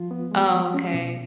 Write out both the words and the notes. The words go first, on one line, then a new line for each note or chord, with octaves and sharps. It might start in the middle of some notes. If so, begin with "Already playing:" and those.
Oh, okay.
Already playing: F3 F4
B3
G#3
F3
C#4
B2